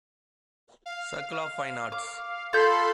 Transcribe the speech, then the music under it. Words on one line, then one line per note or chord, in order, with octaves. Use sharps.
Circle of Fine Arts.
F5
D6
F4 A4 B5 C6 G6